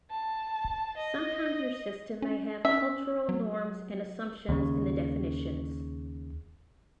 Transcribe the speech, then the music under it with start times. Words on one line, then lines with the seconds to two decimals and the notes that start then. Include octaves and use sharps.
Sometimes your system may have cultural norms and assumptions in the definitions.
0.11 A5
0.97 D#5
2.22 C#4
2.65 C#4 E5
3.29 F#3
4.49 D#2 C#3